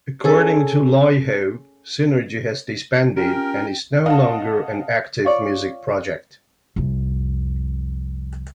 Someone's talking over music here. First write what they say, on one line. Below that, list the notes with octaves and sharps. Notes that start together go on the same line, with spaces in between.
According to Laiho, Sinergy has disbanded and is no longer an active music project.
C#4 G#4 A4
C#4 F4 G4 A#4 G5 D7
D#5 F5 F#5 A5
F4 C#5 D5
C2 F2